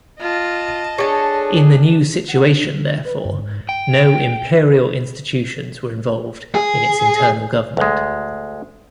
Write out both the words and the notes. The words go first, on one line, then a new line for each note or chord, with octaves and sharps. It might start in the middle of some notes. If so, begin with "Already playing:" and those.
In the new situation therefore, no Imperial institutions were involved in its internal government.
F4 D#5 A5
D4 G#4 A4 C#5
F#5
D4
D3
B4
G2
G#2
G5
G#4
D2 G#3